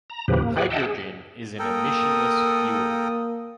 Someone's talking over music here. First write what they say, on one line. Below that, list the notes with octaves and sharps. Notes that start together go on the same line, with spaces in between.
Hydrogen is an emissionless fuel.
A#5
D#2 A2 C#3 F3 G4 B4
A#3
G4 G#4 B4 D5 F#5
D#5 E5 F#5 G5 A5
G#4
A#3 A4 A#4 G5 D#6